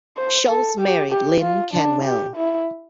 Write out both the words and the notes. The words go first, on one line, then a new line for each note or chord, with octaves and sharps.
Schulz married Lynne Canwell.
C5
A4
G4
G4
F4
D4
G4
E4